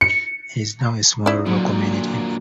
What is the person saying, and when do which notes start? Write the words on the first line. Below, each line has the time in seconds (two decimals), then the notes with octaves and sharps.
It is now a small rural community.
0.01 C#7
1.26 C#4 D#4 E4 C5 D5
1.46 A#2 D3 F#3